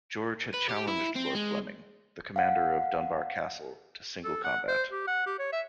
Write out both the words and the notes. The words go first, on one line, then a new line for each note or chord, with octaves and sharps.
George had challenged Lord Fleming, the commander of Dunbar Castle, to single combat.
B4
G4
E4
C4
G#3
F5 F#5
A4
F#5
C5
G4
F#5
G4
C#5
E5